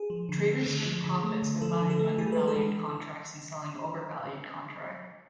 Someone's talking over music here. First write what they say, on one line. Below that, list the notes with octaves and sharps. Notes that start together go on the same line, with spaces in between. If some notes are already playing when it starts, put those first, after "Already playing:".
Traders make profits by buying undervalued contracts and selling overvalued contracts.
Already playing: G#4
F3
D3
A3
D3
F3
D3
A3
D3
F3 A4
D3
A4
A3
E3 G#4
B4
G#3
A4
E3